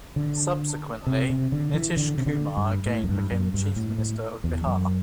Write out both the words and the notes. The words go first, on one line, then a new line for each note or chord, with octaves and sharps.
Subsequently, Nitish Kumar again became the Chief Minister of Bihar.
D3
C3
C3
D3
E3
D3
C3
D3
G2
A2
F#2
G2
F#2
G2
A2
A2
E2
F#2